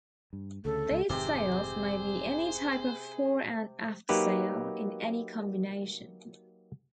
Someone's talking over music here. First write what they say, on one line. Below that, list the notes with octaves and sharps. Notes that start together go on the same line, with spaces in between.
These sails may be any type of fore-and-aft sail, in any combination.
G2
D2 C#3 A4
C#2 G#3
F1 G#2 C3 D#3 G4 G#4 C5
F#3 A#3 D#4 G4 B4